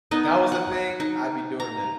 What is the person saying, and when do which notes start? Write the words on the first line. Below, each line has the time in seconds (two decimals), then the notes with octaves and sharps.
if that was a thing, I'd be doing that,
0.11 B3 D#4 D#5
0.52 F#5
1.00 D#4
1.60 A#5